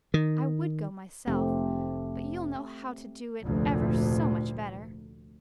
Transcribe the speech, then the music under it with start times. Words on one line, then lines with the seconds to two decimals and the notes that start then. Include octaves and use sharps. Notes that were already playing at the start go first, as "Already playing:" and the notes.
I would go myself, but you'll know how to do it ever so much better.
0.14 D#3
1.27 F1 A3 C4 G4
3.42 F1 D2 A#2